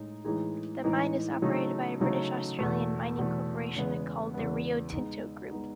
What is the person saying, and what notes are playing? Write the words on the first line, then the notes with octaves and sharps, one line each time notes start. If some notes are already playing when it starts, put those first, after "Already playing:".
The mine is operated by a British-Australian mining corporation called the Rio Tinto Group.
Already playing: A2 G#3 D#4
A2 E3 G#3 D#4 G#4
A2 E3 G#3 D#4 G#4
C#3 F#3 A3 D#4
C#3 F#3 A3 D#4
E2 B2 A3
E2 B2 A3
E2 C#3 G#3 B3
E2 C#3 G#3 B3
G#3 B3 D#4
G#3 B3 D#4